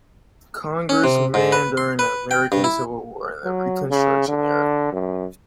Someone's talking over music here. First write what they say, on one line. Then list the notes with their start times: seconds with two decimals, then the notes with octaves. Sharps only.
Congressman during the American Civil War and the Reconstruction era.
0.89 C#4
1.04 C3
1.34 G#2
1.52 B4
1.77 C6
1.99 B4
2.31 G5
2.52 G2
2.64 E4
3.44 F#3
3.90 C#3
4.28 D3
4.92 F#2